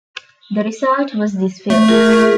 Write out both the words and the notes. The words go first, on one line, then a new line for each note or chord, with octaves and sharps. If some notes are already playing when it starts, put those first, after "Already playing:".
The result was this film.
A3
F4 G#4 A#4